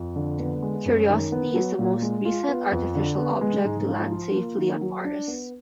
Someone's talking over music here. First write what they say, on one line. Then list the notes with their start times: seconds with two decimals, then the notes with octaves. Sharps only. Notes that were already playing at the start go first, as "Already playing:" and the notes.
"Curiosity" is the most recent artificial object to land safely on Mars.
Already playing: F2
0.16 D3
0.39 B3
0.62 G#3
0.85 F#2
1.09 D#3
1.32 B3
1.55 F#3
1.79 A#2
2.02 G#3
2.25 F4
2.48 B3
2.72 F2
2.95 D3
3.18 B3
3.41 G#3
3.65 G#2
3.88 F3
4.12 F4
4.35 A#3
4.58 D#3
4.81 F#3
5.05 D4
5.28 B3